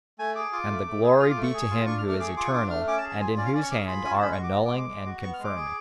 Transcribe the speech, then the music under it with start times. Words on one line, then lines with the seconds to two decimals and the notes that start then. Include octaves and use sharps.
And the glory be to Him who is eternal and in whose hand are annulling and confirming.
0.19 A3 G#5
0.35 G#4 D6
0.52 F4 D6
0.69 A3
0.86 A3
1.03 G#4
1.20 F4 F6
1.31 D6
1.36 A3
1.42 C#6
1.53 G#4
1.70 F4
1.86 D4 C#6
1.98 F6
2.03 A3
2.09 F6
2.20 G#4 D6
2.28 C#6
2.37 F4 D6
2.45 C#6
2.53 D4 D6
2.70 A3 F6
2.87 C#4 D6
2.98 A5
3.04 G#4
3.09 A5
3.20 F4 G#5
3.37 C#4 D5
3.46 F5
3.54 C#4 D5
3.63 C#6
3.71 G#4 D6
3.79 C#6
3.87 F4 B5
4.05 C#4 G#5
4.13 A5
4.21 G#3 B5
4.32 C#6
4.38 F#4
4.43 D6
4.55 B3
4.65 D6
4.71 G#3
4.78 D6
4.89 G#3
5.05 F#4
5.22 B3 C#6
5.34 F6
5.39 G#3
5.44 D6
5.56 G#4